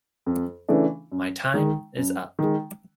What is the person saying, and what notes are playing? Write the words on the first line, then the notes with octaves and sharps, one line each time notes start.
My time is up.
F2
C#3 E3 A3 D4
F#2
D#3 G#3
F#2
D#3 G#3